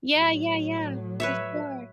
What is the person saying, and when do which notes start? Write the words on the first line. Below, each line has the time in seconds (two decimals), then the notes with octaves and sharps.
Yeah, yeah, yeah. For sure.
0.13 A2 F#3
1.20 B4 C#5 E5